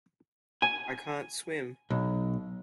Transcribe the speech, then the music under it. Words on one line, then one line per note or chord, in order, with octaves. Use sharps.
I can't swim.
G#5
B1